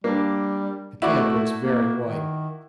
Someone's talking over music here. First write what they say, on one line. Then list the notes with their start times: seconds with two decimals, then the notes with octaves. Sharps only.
The camp looks very white.
0.04 G3 A#3 D4
1.02 A3 E4 F#4 D5
1.61 A#3
2.06 D#3